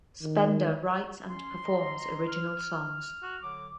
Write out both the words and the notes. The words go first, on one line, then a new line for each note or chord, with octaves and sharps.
Spender writes and performs original songs.
D#3
C#4 C6
D#5 A#5
F6
F#4
D3 F#3 D6